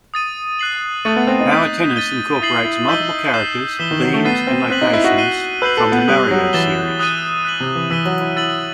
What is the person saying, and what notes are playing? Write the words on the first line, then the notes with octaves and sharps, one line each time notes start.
"Power Tennis" incorporates multiple characters, themes, and locations from the "Mario" series.
D#6 A6 D#7
F#6 C7 F#7
A3 D#6 F#6 A6 D#7
B3
C4
D#4
D#6 G6 B6
A6 D#7 G7
E4 D#6 A6 C7 F#7
E4
D#4 E6 G6 B6 D#7 G7
G6 C7 E7
E3 E6 B6 E7 G7
D#3
F#3
A3
B3 A6 C7 D#7
C4
C4 F#6 B6 F#7
D#4
E4
F#4
F#6 C7 D#7 G7
B4 E6 G6 C7 F#7
A4
B3
G3 D#6 F#6 B6 F#7
F#3
E3 A6 E7 G7
D#6 F#6 A6 D#7
F#6 B6 F#7
C3
E3
E3 E6 B6 D#7 G7
F#3
E4
E4 E6 A6 D#7 F#7